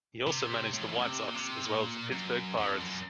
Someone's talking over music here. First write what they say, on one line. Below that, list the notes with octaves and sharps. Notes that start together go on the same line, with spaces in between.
He also managed the White Sox, as well as the Pittsburgh Pirates.
C3
A2
F3
D#3
C#3
C3
A#2
C3
A#2
F#2
F2
F#2